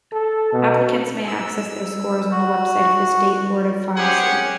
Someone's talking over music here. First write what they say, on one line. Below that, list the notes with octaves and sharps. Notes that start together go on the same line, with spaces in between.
Applicants may access their scores on the website of the state Board of Pharmacy.
A4
B2
E6
F#4
C#4 G4 G#4 C5 F#5 G#5